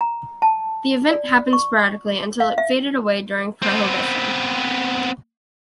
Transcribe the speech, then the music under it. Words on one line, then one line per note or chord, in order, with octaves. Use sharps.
The event happened sporadically until it faded away during Prohibition.
A#5
A5
D5
C#6
F5
E5
B3 C4